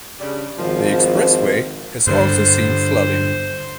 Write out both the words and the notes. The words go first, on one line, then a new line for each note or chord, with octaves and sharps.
The expressway has also seen flooding.
C#3 G3 D4
G#1 F3
G2 D3 C5